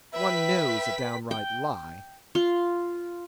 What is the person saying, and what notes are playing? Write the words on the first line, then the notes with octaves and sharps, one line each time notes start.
One knows a downright lie.
B4 E5 G5 B6
G5
F4